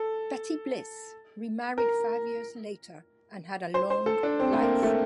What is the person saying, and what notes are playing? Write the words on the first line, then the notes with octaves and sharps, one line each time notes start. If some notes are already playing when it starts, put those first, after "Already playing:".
Betty Bliss remarried five years later and had a long life.
Already playing: A4
A#4
C5
C5
A4
D4
C4
A3
A#3
A3